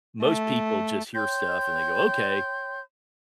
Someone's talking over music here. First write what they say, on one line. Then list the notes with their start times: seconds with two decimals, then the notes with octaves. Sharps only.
Most people just hear stuff, and they go, "Okay,"
0.22 A3
1.14 C#5 G5 C6 G6